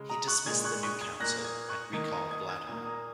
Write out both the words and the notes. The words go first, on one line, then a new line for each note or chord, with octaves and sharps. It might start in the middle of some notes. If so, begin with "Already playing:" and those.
He dismissed the new council and recalled Latimer.
Already playing: C#3 G#3
A#5 D#6
C#6 F#6
A#2 G#3 D#6 G#6
C#6 F#6
C#6 F#6
D#6 G#6
A#2 A#3 F#6 A#6
D#6 G#6
C#6 F#6
D#3 A#3 D#6 G#6
A#5 D#6
D#6 G#6
D#6 G#6
A#2 A#3 D#6 G#6
A#5 D#6